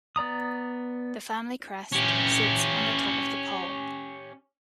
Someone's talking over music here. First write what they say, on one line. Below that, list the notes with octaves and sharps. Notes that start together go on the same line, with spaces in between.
The family crest sits on top of the pole.
B3 D5 A#5 D#6
C#4 G4